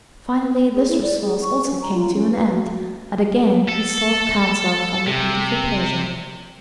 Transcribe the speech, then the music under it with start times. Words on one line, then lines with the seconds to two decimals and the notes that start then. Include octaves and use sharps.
Finally this resource also came to an end, and again he sought counsel from the beautiful Persian.
0.75 G#4
0.88 E4
1.02 D5
1.21 G#4
1.42 C#6
1.65 C#4
1.82 A#5
1.94 F4
2.15 C#4
2.31 B4
2.50 F#4
3.69 A4
5.07 C3